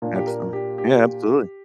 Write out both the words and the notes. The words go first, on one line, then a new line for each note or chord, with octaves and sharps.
Absolu Yeah, absolutely.
A#2 A#3 D4
G4
A#4
G4
G4